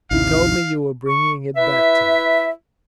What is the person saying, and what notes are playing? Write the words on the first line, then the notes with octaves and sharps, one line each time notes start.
"He told me you were bringing it back to me."
A1 D#2 C3 D#4 E4 F5
C#6
E4 B4 E5